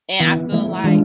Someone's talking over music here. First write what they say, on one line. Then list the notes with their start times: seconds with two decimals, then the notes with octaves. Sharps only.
and I feel like
0.20 E3 B3 E4
0.52 F3 A3 E4
0.84 E3 G#3 D4 F4